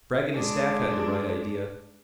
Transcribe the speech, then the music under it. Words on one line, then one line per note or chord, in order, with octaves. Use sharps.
Bragg and his staff had the right idea.
G#3 D4